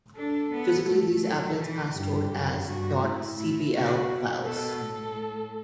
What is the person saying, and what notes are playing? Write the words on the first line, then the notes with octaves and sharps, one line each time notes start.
Physically, these applets are stored as ".cpl" files.
D4 A4
B3
A3
F#3 A4
E3
G2 G4
F#2
G2 F#4
A2 E4
A2 E4
C#3 F#4
B2
B2 A4
A2